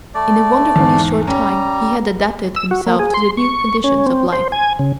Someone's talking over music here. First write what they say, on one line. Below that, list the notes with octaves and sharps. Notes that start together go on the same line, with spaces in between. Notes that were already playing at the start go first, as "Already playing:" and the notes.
In a wonderfully short time he had adapted himself to the new conditions of life.
A3 D5
E2 G#2
G3 C#4 A#5
E6
F#4
A#3
G#4
C6
C#6
C#4
C4
C5
G#5
C#3